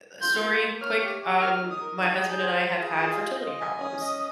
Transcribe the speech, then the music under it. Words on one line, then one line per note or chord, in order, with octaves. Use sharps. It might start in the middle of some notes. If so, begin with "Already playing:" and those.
the story, quick. Um, my husband and I have had fertility problems.
F4 G6
A#3
A#3
C#5 F6
G4
G4
A#4 F6
D#4
D#6
A#4
D#4 D#6
G#4
G6
C5
F4
G#4
D#6
F4
D#5
D#5
G#5
C#4 D#6
D#5